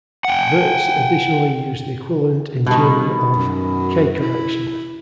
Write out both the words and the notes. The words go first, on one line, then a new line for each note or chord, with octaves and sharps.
Wirtz additionally used the equivalent in German of "K correction".
F#5 G5
B2 D#3 G3
F#2
E4